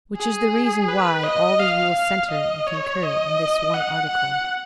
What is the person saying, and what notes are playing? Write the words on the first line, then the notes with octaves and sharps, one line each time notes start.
Which is the reason why all the rules centre and concur in this one article.
G#4
B4
D#5
F5
F5
D#5
C#5
D#5
F#5
F#5